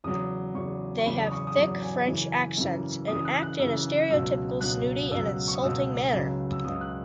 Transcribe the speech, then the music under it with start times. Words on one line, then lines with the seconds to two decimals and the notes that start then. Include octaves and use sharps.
They have thick French accents and act in a stereotypical snooty and insulting manner.
0.04 E2 C#3 F#3 D#6
0.54 E2 C#3 F#3 C#6
0.98 C#6
1.05 E2 C#3 F#3 B5
1.27 D#6
1.32 C#6
1.47 D#6
1.56 E2 C#3 F#3 C#6
1.82 G#5
2.07 F#2 C#3 E3
2.57 F#2 C#3 E3
3.08 F#2 C#3 E3 D#6
3.25 F#6
3.43 F#6
3.59 F#2 C#3 E3 E6
4.10 C#2 B2 F#3 E6
4.61 C#2 B2 F#3 F#6
5.11 C#2 B2 F#3 E6
5.48 C#6
5.55 D#6
5.63 C#2 B2 F#3 E6
6.13 C#2 C#3 F#3
6.53 E6
6.64 C#2 C#3 F#3 D#6
6.81 F#6